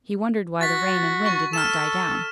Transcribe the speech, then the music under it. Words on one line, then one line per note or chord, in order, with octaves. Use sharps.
He wondered why the rain and wind did not die down.
F#4 A6 B6
C#6
A4 F6 E7